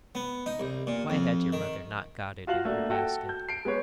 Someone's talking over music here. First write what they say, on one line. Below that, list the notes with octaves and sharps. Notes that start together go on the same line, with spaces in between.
Why had your mother not got it in her basket?'
B3
D#4
C2
A#2
F2
D#3
F4 F#4 F5 F#7
A3 A#3 D4 F#4
F#4 A4 G5
G6
C7 D7
G#3 B3 B4 C#5